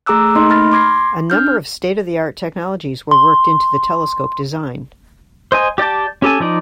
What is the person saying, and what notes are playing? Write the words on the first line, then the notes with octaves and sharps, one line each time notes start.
A number of state-of-the-art technologies were worked into the telescope design.
A3 G#4 A#5 D6 E6 F#6
A3 A#3 D#4 D#5 C6
B5 F6 A6 A#6
C6 D6 G#6 A#6 C7
D4 F6 G6
C6
C5 D#5 G#5
G4 D5 G5 A5
C#4 G4 A4 G#5
F3 D#4 D5